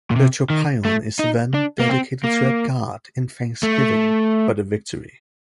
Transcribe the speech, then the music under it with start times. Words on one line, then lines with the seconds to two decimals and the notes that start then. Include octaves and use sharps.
The "tropaion" is then dedicated to a god in thanksgiving for the victory.
0.11 A#2
0.16 C3
0.50 D#3
0.85 A3
1.19 D#4
1.54 D4
1.80 A#3
1.89 C4
2.24 A#3
3.63 A3